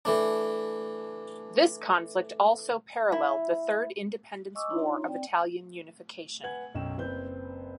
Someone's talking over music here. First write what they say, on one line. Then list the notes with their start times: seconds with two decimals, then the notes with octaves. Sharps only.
This conflict also paralleled the Third Independence War of Italian unification.
0.05 E3 A3 D4
3.12 E4
4.55 D#5 G#5 C#6 D6 E6
4.70 D4 D#4 F4 C#5 A#5 C6
5.07 C4 D5 G5
6.43 B4 F#5 G#5 G#6 F#7
6.74 B1 F#2 G5 E7
6.98 F#1 C4 B4 G6